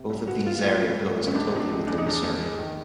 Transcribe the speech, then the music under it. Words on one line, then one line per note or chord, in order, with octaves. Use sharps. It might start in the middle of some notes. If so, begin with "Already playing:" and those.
Both of these area codes are totally within Missouri.
Already playing: C3
C2
B3 F#4
A#2 F4
F#4
C2 F4
A3
G2
G#1
C#4
C#2 D4
C3 D#4
D4
C#2
E2 D4
D#4
C#3 D4
E2
G#2
D#3